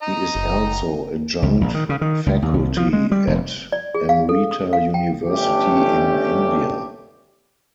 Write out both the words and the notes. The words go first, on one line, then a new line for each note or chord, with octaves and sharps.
He is also adjunct faculty at Amrita University in India.
D#5 A#5
F#1
C#2
A#1
D#3
C#3
D#3
C#2
D#2
C2
F3
G#3
G3
F1
D5
G#4
F5
A4
D#6
F5
G5
G1 A3 C#4 D4 G4